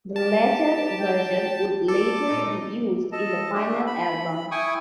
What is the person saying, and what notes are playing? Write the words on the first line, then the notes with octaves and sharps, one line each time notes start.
The latter version would later be used in the final album.
G4 A5
G5
A4 D6
A#2 D#4
A4 D#5 A5
A3 D4 G4
B5
E4 G5 G#5 C#6 D#6